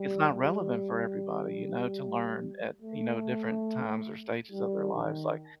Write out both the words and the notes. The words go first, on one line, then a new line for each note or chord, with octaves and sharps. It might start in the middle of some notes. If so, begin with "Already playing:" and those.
it's not relevant for everybody, you know, to learn at, you know, different times or stages of their lives, like,
Already playing: G3
G3
A3
G3
D#3